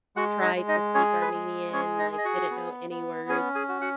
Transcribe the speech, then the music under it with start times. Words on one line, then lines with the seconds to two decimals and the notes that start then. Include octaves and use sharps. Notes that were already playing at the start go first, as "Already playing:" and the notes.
tried to speak Armenian, like didn't know any words,"
0.16 G#3 F#4 F#5
0.42 D#4 D#5
0.56 G#3
0.68 D#4 D#5
0.94 C#4 G#4 C#5
1.21 B4
1.33 G#3
1.73 C#4 G#4 C#5
1.99 D#4 D#5
2.12 G#4
2.18 D#5
2.25 F#4 F#5
2.50 B3
2.91 B3
3.29 C#4 G#4 G#5
3.55 G#4 G#5
3.69 F#4
3.81 F#4 F#5